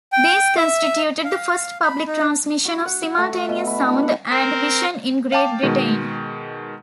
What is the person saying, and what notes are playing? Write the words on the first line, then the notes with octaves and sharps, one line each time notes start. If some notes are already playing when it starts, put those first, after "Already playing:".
These constituted the first public transmission of simultaneous sound and vision in Great Britain.
G5
E5
F5
B5
D#4
F#4
F#5
E5
A3
E5
B2
E4
D4
F#5
C4 A#4 C5
F5 G5 A5 D6
B2 D#3 G#3